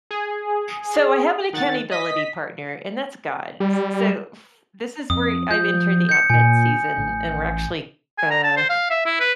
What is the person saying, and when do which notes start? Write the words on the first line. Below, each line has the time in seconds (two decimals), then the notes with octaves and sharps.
So I have an accountability partner, and that's God. S so, f this is where I've entered the advent season, and we're actually, uh
0.11 G#4
1.53 D#3 F#5 A6
1.91 D#5 D#6 B6
3.60 G3
5.10 F2 D#6
5.51 F3 G6
6.09 G6 C#7
6.30 A#2 G#5
6.98 A1
8.18 G#5
8.31 A#5
8.43 A5
8.57 C5
8.70 F5
8.90 E5
9.06 E4
9.20 B4